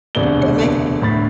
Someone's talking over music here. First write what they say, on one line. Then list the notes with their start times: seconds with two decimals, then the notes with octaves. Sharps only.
That makes
0.15 E1 D2 C3 B3 D5 G7
1.01 D2 A2 B5 A6